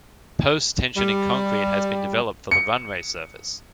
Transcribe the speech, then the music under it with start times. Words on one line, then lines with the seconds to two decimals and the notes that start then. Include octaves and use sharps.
Post-tensioning concrete has been developed for the runway surface.
0.97 G3
2.51 C#7